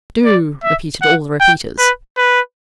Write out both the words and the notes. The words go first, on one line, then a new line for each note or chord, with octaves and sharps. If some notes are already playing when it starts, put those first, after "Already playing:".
"Doo!" repeated all the repeaters.
D5
E5
F#5
G5
B4
B4